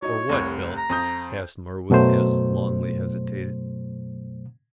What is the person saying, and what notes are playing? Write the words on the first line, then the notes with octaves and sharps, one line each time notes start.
"Or what, Bill?" asked Merwin, as Longley hesitated.
F#3 D#4 C#5
F1 C2
A#5
F2 D#6 G6
F#2 B2 F#3 A3 C5